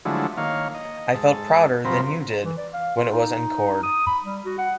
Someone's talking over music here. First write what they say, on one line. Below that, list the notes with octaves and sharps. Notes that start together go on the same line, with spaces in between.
I felt prouder than you did when it was encored.
D3 F3 F#3 G#3 A3 E4
D#3 A#3 C#5 F5
D#5
G#2 A4
F#2 C3 F3 C4 A#4 B4
E3
D5
F5
F4
D#4
D#6
B5
G3
F#4
F#5